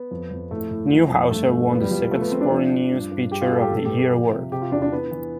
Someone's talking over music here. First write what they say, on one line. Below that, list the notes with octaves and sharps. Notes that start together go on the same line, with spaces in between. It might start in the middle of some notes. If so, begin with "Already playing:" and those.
Newhouser won the second Sporting News Pitcher of the Year Award.
Already playing: B3
F2
F2
A2 A3
A2
F3
F2
G2 A3
F3
E2 B3
G3
F3 G3
F3 A3
B3
F3 C4
D4
F3
F3
G2
G2
G2 G4
F4
G2 A4
G4
B2 A4
G4
B2
G4
F3
C3
C3 G4
F4
E2 D4
D4
E3 B3
E3